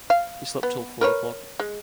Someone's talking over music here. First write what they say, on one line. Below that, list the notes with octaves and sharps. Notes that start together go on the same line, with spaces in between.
He slept till four o’clock.
F5
B3
A#4 B4 C#5
G#3